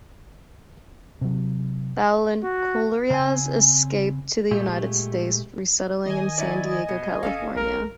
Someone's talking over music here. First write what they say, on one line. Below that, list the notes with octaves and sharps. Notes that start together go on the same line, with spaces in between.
Blancornelas escaped to the United States, resettling in San Diego, California.
C3 F#3
F#4
C#3 C4 C#5 G#5
A#2 G#3 A3 G4
D#3 D#5 G#5
F#3 E4 D5
B2
G1 C#4 A4 F5
A#1 A#4